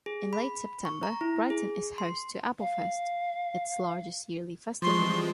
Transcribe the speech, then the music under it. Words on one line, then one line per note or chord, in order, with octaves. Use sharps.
In late September, Brighton is host to Applefest, its largest yearly festival.
G#4
B5
C#6
A#5
E4
G#4
C6
F5
E3 F3 G3 G#3 C4 C6 C#6